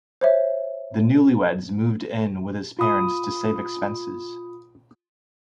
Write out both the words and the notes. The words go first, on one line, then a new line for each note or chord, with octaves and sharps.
The newly-weds moved in with his parents to save expenses.
C5 C#5 E5
F4 B5 D#6